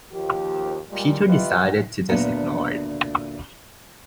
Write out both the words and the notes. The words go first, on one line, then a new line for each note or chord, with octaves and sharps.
Peter decided to just ignore it.
D#2 F3 G4
A#2 G3 G#3
F4 G4 B4 D#5 E5
D2 A#2 B3 D4 F#5